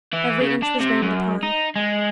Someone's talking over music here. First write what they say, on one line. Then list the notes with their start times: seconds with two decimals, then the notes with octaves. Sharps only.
Every inch was rained upon.
0.13 E3
0.41 C#3
0.63 D4
0.80 C3
1.02 F#2
1.43 D#4
1.76 G#3